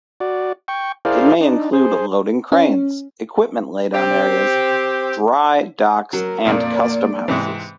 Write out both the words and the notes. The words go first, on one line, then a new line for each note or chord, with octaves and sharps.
It may include loading cranes, equipment laydown areas, dry docks and custom houses.
F#4 D5
G5 C#6
E4 G#4 A#4 C5 D5 F5
D4 D#4
G#4 C5
C#4
C4 G4
F#3 A#4
F2 A#2 A#3 D5
G#2 C3 E3